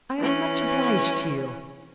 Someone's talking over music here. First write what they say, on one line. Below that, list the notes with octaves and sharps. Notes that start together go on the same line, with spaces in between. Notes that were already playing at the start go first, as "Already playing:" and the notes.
I am much obliged to you.
E3 C#4